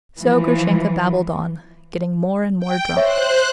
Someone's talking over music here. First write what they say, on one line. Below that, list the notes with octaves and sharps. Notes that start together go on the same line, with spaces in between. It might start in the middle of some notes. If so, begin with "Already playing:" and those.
So Grushenka babbled on, getting more and more drunk.
E3 F3
G5
C5 C#5 E5 F#6